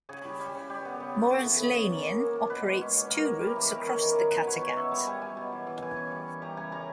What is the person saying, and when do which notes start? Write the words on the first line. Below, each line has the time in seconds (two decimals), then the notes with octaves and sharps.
Mols-Linien operates two routes across the Kattegat.
0.09 C#3 G#4
0.25 G3
0.40 G3
0.55 C#3
0.70 G3 G4
0.85 B3
1.00 C#3
1.15 C#3
1.30 B3 G#4
1.45 E3
1.60 C#3
1.75 C#3
1.90 A#3
2.05 A#3
2.20 A#3
2.35 A#3
2.50 B2 B4
2.66 G#3
2.81 C#4
2.95 B2
3.10 A#3 A#4
3.25 A#3
3.41 G3
3.56 E3
3.71 D#3 A#4
3.86 C#4
4.02 D#3
4.16 D#3
4.31 B2 B4
4.47 B2 C#5
4.61 B2 C#5
4.76 C#4 E5
4.91 G3 A#5
5.07 G3 G#5
5.21 G3 G#5
5.37 B2
5.52 E3
5.67 E3
5.82 E3 G#5
5.96 C#4
6.11 G3
6.28 C#4
6.42 G3 A#5
6.57 C#3 G#5
6.72 G3 A#5